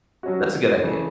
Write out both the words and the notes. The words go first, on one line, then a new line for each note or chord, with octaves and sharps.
That's a good idea.
F#3 C#4 F#4
C#3 E3 A3